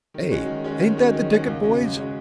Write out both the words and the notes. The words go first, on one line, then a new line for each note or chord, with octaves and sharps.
"Eh, ain't that the ticket, boys!"
D#3
G#3 C#4 F#4
D#3
G#3 C#4 F#4
D#3
G#3 C#4 F#4
D#3
G#3 C#4 F#4
C#2
C#3 G#3 C#4 F#4
C#2
C#3 G#3 C#4 F#4